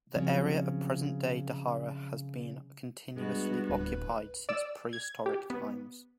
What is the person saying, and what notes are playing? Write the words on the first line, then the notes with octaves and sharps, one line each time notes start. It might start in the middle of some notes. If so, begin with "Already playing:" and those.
The area of present-day Tahara has been continuously occupied since prehistoric times.
C#3 F3 F#3 C4
G2 G#3 B3 F#4
D1 B4
D5 E6
G#6
G4
B3